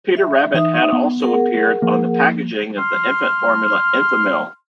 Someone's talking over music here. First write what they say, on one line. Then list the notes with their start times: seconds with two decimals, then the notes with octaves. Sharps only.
Peter Rabbit had also appeared on the packaging of the infant formula Enfamil.
0.17 E5
0.54 E3 D#4 E5 D#6
0.92 B3
1.20 G#4 A#4 F#5
1.82 F3 A#3
2.78 C6 F6